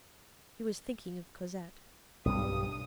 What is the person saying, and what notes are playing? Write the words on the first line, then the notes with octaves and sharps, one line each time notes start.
He was thinking of Cosette.
B1 G2 G3 D#6